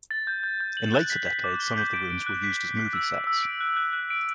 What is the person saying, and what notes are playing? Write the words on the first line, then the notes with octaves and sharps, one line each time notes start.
In later decades some of the rooms were used as movie sets.
A6
G6
G6
G6
F#7
F#6
B6
B6
D6
G7
G6
D7
D7
F#6
B6
B6
B6
E6
E6
E6
D7
F#6
F#6
F#6
D7